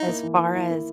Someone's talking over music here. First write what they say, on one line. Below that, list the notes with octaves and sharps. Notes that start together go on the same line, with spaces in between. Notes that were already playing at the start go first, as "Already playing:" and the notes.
as far as
Already playing: D#4 E4
A#3
E3
E3
E4
A#3